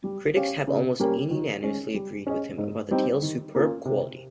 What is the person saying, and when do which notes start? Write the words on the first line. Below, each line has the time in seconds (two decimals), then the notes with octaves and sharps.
Critics have almost unanimously agreed with him about the tale's superb quality.
0.04 G3
0.36 C#4 G4 C#5 F5
0.67 C#3
1.00 G3 A#3 C#4 G4
1.31 D#3
1.63 G#3 C#4
1.94 G3
2.27 C#4 G#4 D#5
2.58 G#2
2.91 G3 C4 D#4
3.22 D#3
3.55 A#3 C#4 F4
3.85 C3